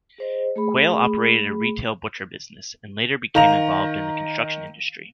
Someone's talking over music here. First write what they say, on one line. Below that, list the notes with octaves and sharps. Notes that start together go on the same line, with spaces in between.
Quayle operated a retail butcher business, and later became involved in the construction industry.
G#4 C5 D#5
A3 G#4 B5
D#3 F5 A#5 F7